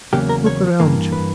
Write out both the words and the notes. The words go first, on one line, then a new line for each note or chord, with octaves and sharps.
Look around you.
E2 C#3 F#3 A#3 G4
A#4
C#5
G2 E3 A#3
B4